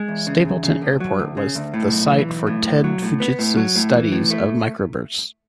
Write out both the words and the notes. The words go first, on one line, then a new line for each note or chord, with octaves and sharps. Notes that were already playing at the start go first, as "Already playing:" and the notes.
Stapleton Airport was the site for Ted Fujita's studies of microbursts.
Already playing: G#3
E2
C#3
E2
C#3
D2
F#3
D2
C#3
D2
A2
B1
E3
B1
A2
B1
F#3
A2
B3
A2
F#3
A2
E3
A2
A3